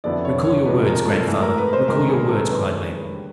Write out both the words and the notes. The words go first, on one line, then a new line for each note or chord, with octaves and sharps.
"Recall your words, grandfather--recall your words!" cried Mabel.
F2 D3 F#3 B3 E4 D5
C#5
C#5
C3 F3 G#3 B4
A#4
A4
G#2 E3 A3 A4
A#4
B4
C5
C#2 C3 D#3 A#4
G#4
A4
F#2 D#3 G#3 B4
D3 G3